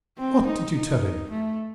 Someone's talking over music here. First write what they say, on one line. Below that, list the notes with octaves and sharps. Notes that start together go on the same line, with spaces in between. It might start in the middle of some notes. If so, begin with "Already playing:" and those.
"What did you tell him?"
C4
D#4
D#4
A3